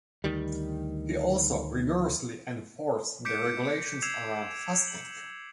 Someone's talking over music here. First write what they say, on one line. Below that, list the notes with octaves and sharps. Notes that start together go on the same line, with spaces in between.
He also rigorously enforced the regulations around fasting.
D2 D#3 G3
D6 G6 B6 C#7 D7
C#7
E6 G#6 C7 E7 F7
F#7